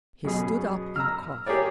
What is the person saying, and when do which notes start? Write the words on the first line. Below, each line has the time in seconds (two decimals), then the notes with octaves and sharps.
He stood up and coughed.
0.25 F#2 B2 G#4
0.96 A#5 E6 F6
1.46 G4 G#4 A#4 C#5 D5